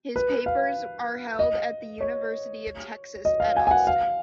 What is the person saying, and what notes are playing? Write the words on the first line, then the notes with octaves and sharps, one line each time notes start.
His papers are held at the University of Texas at Austin.
B4
F5
D#5
C#5
D#5
F5
G#5
G#5
F#5
F5